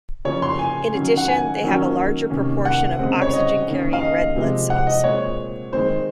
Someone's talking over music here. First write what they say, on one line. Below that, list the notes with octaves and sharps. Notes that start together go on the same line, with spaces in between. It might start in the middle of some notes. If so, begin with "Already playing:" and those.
In addition, they have a larger proportion of oxygen-carrying red blood cells.
C#3 F3 A#3 C#4 C#5
C6
G#5
D#3 F#3 C#4
F#5
G#5
D#3 F#3 A#3 C#4
C3 D#3 A#3 C#4
F#5
C#3 G#3 C4
C#5
D#5
D#3 A#3 C#4
F5
D#5
C3 F3 G#3 C4
F#5
D#5
A#2 G#3 C4 C#5
D#3 G#3 C4 C5